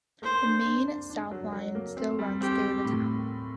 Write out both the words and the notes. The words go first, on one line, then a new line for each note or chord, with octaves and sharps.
The Main South Line still runs through the town.
A#3 C5
D4
D4
D4
D4
F#3
F#3
A#3
C4
G3
C4 G4
C4
A2